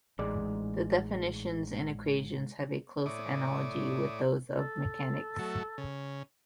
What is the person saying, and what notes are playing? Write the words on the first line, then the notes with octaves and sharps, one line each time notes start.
The definitions and equations have a close analogy with those of mechanics.
A1 G#2 G#3 D5
A2 E4 C#5 D5 D6 D#6
A4
F#3 A3
C#3